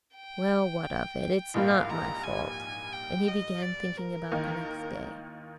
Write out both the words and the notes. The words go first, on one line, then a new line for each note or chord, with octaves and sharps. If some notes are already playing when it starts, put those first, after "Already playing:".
"Well, what of it? It's not my fault." And he began thinking about the next day.
G5
A#1 G#2 G3 A#3 F5
A#5
G#5
G5
D#5
D5
A#4
D#2 D#3 A#3 D#4